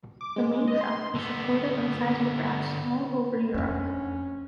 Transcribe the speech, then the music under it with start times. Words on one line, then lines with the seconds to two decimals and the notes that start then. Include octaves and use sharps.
The mainshock was recorded on seismographs all over Europe.
0.21 D6
0.36 G#3
0.68 D#5
0.81 C6
1.15 D3 B3
3.54 F2 C#4 D4